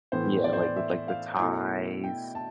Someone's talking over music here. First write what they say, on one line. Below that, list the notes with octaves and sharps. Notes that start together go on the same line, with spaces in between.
Yeah, like, with, like, the ties
A2 E3 B3 C5
D5
C5
D5
E5
F5
B2 A3 E4
G5
A5